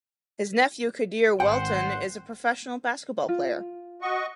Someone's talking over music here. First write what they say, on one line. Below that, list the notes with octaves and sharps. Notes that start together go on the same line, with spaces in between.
His nephew, Quadir Welton, is a professional basketball player.
G#1 C5 F#5 G5
F4
F#4 D#5 C#6